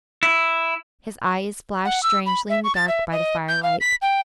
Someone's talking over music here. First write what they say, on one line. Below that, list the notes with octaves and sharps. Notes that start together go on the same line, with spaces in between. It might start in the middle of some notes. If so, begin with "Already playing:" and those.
His eyes flashed strangely in the dark by the firelight.
E4
F#5
E6
B5
E5
C#6
A6
E5
D#5
G6
F5
B6
G5